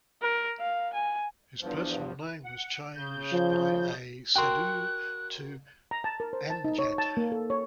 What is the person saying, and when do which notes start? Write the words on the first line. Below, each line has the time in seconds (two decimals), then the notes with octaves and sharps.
His personal name was changed by a sadhu to Amjad.
0.22 A#4
0.59 F5
0.93 G#5
1.61 E2 G2 F3
2.45 F#5
2.96 C#3 G6
3.32 F3
4.36 F#4 A#4 G5 C6 F#6
5.91 A#5
6.04 A5
6.20 A#4
6.33 C5
6.50 A5
6.64 D#4
6.79 C#5
6.98 A5
7.17 A#3
7.32 A4
7.50 C#5